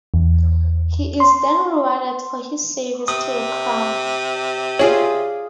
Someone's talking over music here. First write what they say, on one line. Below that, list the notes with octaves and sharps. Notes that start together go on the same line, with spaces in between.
He is then rewarded for his service to the crown.
E2
C6
C3 D#6
F4 G#4 C#5 D5